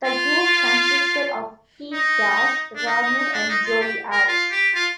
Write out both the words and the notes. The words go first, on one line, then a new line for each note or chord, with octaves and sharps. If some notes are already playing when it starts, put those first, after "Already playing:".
The group consisted of Pete Gas, Rodney, and Joey Abs.
F4
D#4
D4
D#4
D#4
D#4
D4
D#4
F4
G4
A#4
F4
G4
F4